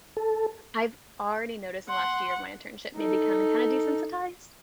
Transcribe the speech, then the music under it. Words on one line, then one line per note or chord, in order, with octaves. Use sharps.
I've already noticed in the last year of my internship me becoming kinda desensitize,
A4
F#5 C6
D#4 A4